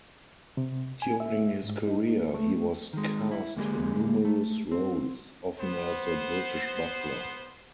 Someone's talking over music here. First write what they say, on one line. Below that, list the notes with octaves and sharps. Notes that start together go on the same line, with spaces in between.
During his career, he was cast in numerous roles, often as a British butler.
C3
G#5
E5
G#2
D#4
A3
D#3 G#3
E4
D2 G#3 A#3 C#4 G4 G#4
A3
C4
B3 C5